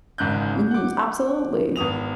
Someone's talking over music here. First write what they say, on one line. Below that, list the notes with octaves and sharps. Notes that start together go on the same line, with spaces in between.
Mhm. Absolutely.
G#1 G#2 C#3 F#6 G6
F#5 D6
G#1 B3 D#6 F7